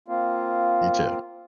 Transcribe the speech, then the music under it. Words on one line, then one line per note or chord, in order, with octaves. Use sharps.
You too.
A#3 C4 F4